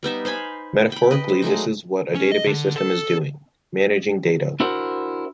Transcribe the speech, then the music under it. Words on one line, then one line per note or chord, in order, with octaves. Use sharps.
Metaphorically this is what a database system is doing - managing data.
G3 B3 D#4 E5
C5 F5 G#5 B5
G5 B5
B4 D#5
C5
F#3 G#3 A3 D#4
C#4
D#5
D3
A4
D4 E4 F#4 A#4 C5